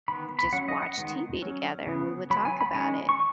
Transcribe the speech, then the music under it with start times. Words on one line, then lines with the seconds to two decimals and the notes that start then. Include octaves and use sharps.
just watch TV together, and we would talk about it,
0.08 D#3 B3 B5
0.39 B5
0.53 F#3 C#4 F#5
0.68 D#5
0.83 F#5
0.98 D#3 G#3 B3
1.42 F#3 C#4
1.87 C#3 B3
2.30 F#3 B5
2.34 B3
2.45 G#5
2.61 B5
2.74 D#3 G#3 C#4 G#5
3.09 C#6